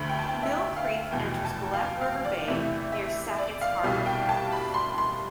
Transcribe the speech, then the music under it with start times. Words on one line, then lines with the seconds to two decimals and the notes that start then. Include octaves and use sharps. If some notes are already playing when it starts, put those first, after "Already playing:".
Mill Creek enters Black River Bay near Sackets Harbor.
Already playing: D2 D3 A3 B5
0.09 G5
0.19 A5
0.28 G5
0.43 E5
0.77 F5
1.11 F1 E2 B2 G5
1.45 A5
1.74 F5
1.80 G5
2.01 F5
2.25 D5
2.47 E2 C3 E3 A3 E5
2.92 E5
3.38 D5
3.61 F5
3.83 C2 B2 G3 F5
4.06 G5
4.29 A5
4.52 B5
4.74 C6
4.98 C6